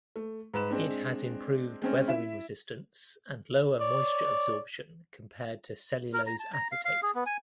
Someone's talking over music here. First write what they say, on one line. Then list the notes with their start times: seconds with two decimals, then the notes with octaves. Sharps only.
It has improved weathering resistance and lower moisture absorption compared to cellulose acetate.
0.16 A3
0.54 G#2 B4 E7
0.71 G#3 C4 D4
1.82 G#3 C4 C#4
2.08 E4 E5 E7
3.80 C#5 D5
6.13 A#4
6.26 A#5
6.40 A5
6.53 A#5
6.72 F5
6.85 F5
7.03 G#4
7.15 B3
7.26 G#5